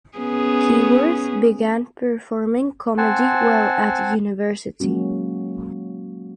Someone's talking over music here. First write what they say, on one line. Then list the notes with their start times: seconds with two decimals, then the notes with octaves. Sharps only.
Keyworth began performing comedy while at university.
0.18 B3 C#4 G#4
2.98 C4 C5 F#5 G#5 A5
4.80 F#3 G#3 A#3 C#4 F#4